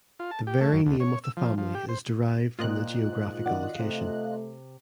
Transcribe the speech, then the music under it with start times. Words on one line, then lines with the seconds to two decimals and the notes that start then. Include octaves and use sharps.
The very name of the family is derived from the geographical location.
0.19 F4
0.31 A5
0.47 G4
0.61 A3
0.73 F#2
0.86 D2
1.00 C#5
1.24 E6
1.37 F3
1.58 F3
1.75 G4
1.89 C5
2.59 A#2 C4 F4 D#5 F#6
3.05 G#2
3.46 D#3 F#4 D5 F#5
3.80 C3 A3